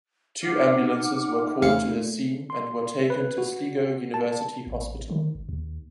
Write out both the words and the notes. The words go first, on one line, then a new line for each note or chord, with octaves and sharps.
Two ambulances were called to the scene and were taken to Sligo University Hospital.
D#4 F#5 D6 F6
E2 A3 F5 C#7
C6
B4
F#4
A5
A1
D#3
G1
D#2